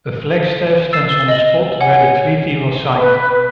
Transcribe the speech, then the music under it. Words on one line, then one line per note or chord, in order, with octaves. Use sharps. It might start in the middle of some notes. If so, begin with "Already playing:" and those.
A flagstaff stands on the spot where the Treaty was signed.
E6 A6 C7 E7
D#5 F#7
C#5 F#5 G#5
B4